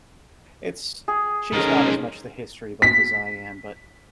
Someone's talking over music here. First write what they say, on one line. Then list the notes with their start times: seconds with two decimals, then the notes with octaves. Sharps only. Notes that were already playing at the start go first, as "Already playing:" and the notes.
it's she's not as much the history buff as I am, but
1.08 G#4
1.54 G#3 C#4 D#4 A4 A#4
2.82 B6